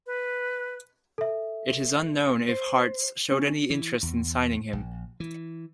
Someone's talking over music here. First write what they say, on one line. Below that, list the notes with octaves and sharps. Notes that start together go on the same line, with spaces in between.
It is unknown if Hearts showed any interest in signing him.
B4
A4 E5
C5
C#4
E3
E2
A#1
E3